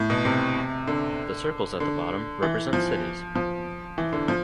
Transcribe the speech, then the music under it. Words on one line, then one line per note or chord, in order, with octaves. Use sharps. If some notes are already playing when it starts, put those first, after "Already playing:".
The circles at the bottom represent cities.
Already playing: A2
B2
C3
D3
D3
E3
F3
F3
E3
D3
F3